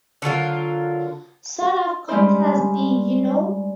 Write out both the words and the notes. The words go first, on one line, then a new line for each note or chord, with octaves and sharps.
Sort of contrasty, you know?
D3 F#3 F4 A#4
G3 G#3 C#4 D4 C5